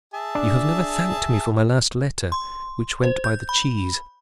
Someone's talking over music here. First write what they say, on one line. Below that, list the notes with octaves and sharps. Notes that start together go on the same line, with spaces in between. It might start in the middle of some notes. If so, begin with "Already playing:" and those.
You have never thanked me for my last letter, which went by the cheese.
G#4 E5 A5
D4
C6
C5
G6
B5